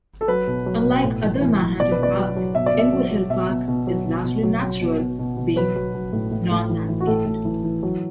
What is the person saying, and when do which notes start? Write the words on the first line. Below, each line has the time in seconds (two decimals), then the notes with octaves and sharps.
Unlike other Manhattan parks, Inwood Hill Park is largely natural, being non-landscaped.
0.21 A4
0.28 F#3 B4
0.47 B2
0.66 F#3
0.85 B2
1.04 A2
1.23 E3
1.41 E3
1.60 E3
1.79 B2 D5
1.92 B4
1.98 B2
2.03 D5
2.17 F#3
2.36 F#3
2.55 B2 E5
2.66 D5
2.74 B2 E5
2.92 F#3
3.11 F#3
3.30 B2 E5
3.49 B2
3.68 B2
3.87 F#3
4.05 B2
4.24 B2
4.43 F#3
4.62 F#3
4.81 B2
4.99 B2
5.19 B2
5.37 B2
5.56 F#3 B4
5.76 F#3
5.95 F#3
6.12 A2
6.31 A2
6.51 A2
6.70 E3
6.89 E3
7.00 F#4
7.07 A2 A4
7.25 A2
7.45 E3
7.64 E3
7.83 F#3